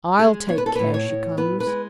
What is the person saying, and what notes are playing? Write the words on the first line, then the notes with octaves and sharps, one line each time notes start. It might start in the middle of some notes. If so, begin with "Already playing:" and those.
I'll take care she comes.'
G#3 G#4
B3 C#5
B4
A4
A2 B4
C#5
A2
B3 B4
B4
G#3